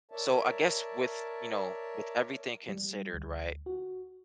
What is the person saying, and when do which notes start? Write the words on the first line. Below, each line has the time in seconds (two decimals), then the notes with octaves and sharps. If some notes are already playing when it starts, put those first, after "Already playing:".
So, I guess with, you know, with everything considered, right?
0.11 A#4 C#5 D5 E5 A5
2.69 G3
3.14 D2
3.66 F#4